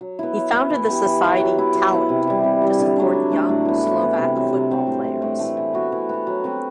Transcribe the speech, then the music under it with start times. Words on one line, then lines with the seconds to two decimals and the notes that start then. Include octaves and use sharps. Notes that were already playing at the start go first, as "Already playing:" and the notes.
He founded the society "Talent" to support young Slovak football players.
0.01 F#3
0.19 B3 E4
0.36 F#3
0.53 B3 E4
0.70 E3
0.88 B3 E4 G4
1.06 E3
1.23 B3 E4 G4
1.40 F#3
1.58 B3 E4
1.75 F#3
1.92 B3 E4
2.09 C3
2.27 E3 G3
2.44 C3
2.62 E3 G3
2.79 D3
2.97 F#3 A3 D4
3.13 D3
3.32 F#3 A3 D4
3.49 A2
3.65 E3 B3
3.83 A2
4.01 E3 B3
4.18 C3
4.35 F#3 C4
4.53 C3
4.71 F#3 C4
4.87 A2
5.04 E3 A3
5.22 A2
5.39 E3 A3
5.57 E3
5.74 B3 F#4
5.92 E3
6.09 B3 F#4
6.27 F#3
6.44 C4 F#4 B4